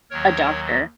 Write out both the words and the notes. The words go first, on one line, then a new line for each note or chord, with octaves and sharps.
a doctor.
D#2 D#3 F#3 A#4 C#5